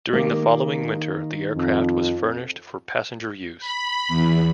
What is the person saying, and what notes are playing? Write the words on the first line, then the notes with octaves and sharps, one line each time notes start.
During the following winter the aircraft was furnished for passenger use.
D#3 A#3 G4
F2
B5
E2